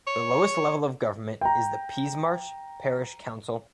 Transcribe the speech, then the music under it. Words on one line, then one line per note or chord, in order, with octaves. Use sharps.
The lowest level of government is the Peasmarsh parish council.
C#5
G5 A#5